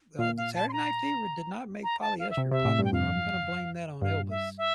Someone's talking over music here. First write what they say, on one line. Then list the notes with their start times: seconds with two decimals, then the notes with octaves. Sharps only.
uh, the Saturday Night Fever did not make polyester popular. I'm gonna blame that on Elvis.
0.18 A#2 F5
0.37 F5
0.55 A5
0.69 C6
0.73 A#5
1.83 A#5
2.01 A5
2.19 F5
2.30 E5
2.37 C3
2.51 C3 E5
2.65 A2
2.79 G2
2.85 G5
2.93 F2 F5
4.02 G2 F5
4.30 E5
4.58 E5